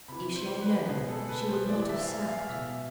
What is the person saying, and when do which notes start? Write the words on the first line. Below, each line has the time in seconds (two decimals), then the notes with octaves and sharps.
If she had known she would not have snapped.
0.08 C3 E3 B5
0.35 C5
0.62 B4
0.89 B2 G#4
1.08 A4
1.29 B4
1.49 C5
1.69 A2 E3 D5
1.89 E5
2.01 F5
2.09 G#5
2.29 F5
2.49 B2 E5